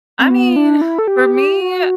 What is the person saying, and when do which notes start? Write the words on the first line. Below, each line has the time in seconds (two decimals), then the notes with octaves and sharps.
I mean, for me,
0.19 C4
0.30 B3
0.56 D4
0.81 E4
0.99 A4
1.08 G4
1.34 G4
1.61 F#4